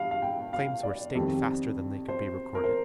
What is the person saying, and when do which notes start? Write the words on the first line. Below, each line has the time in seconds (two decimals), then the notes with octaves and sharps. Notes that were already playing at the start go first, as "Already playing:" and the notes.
Claims were staked faster than they could be recorded.
Already playing: G2 F5
0.11 F5
0.22 G5
0.53 F5
0.83 D5
1.15 F2 D#3 G3
2.09 C5
2.55 A#4
2.64 C5